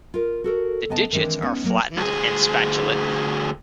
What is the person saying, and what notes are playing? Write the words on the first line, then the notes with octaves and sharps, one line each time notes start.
The digits are flattened and spatulate.
F4 A#4
F#4 A4 A#4
C#3 B3 D#5 G#5 A5
D#3 E3 G#3 C4 D4
G#3 B3 C#4 D#4
F#3 A#3
D2 G#4